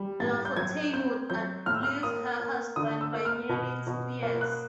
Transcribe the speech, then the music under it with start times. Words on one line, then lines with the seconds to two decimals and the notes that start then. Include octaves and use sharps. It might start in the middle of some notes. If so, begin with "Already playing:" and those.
Lafontaine would outlive her husband by nearly two years.
Already playing: G3
0.20 A2 A6
0.45 G6
0.56 F#3 G#6
0.93 C4 G6
1.30 F#3 G6
1.66 A2 F6
1.74 E6
1.83 F6
2.03 A#3 D#6
2.40 A#3
2.76 D3 D#6
3.01 E6
3.13 A#3
3.25 F6
3.49 B2
3.87 B2
4.23 A#3
4.41 F#6